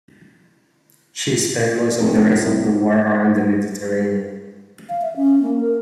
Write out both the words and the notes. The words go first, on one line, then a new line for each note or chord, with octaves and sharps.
She spent most of the rest of the war around the Mediterranean.
F1
C2
F5
E5
C#4
A#3
A#4